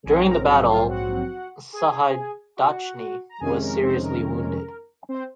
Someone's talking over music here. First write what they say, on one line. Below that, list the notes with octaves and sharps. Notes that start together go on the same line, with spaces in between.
During the battle, Sahaidachny was seriously wounded.
A#1 G#2 F#3 C4 G#4 G#5
G#5
A#4 A#5
F#4 F#5
F4 F5
F#4 F#5
G#4 G#5
F#4 F#5
A#5
F2 C3 D#3 G#3 C#4 G#4 G#5
A#4
C4 C5
A#4
C4 C5